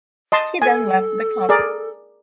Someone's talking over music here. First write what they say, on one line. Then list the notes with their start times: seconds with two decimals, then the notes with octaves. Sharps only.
He then left the club.
0.32 D#5 A5 C6
0.62 A4 G#5
1.49 G#4 A#4 D5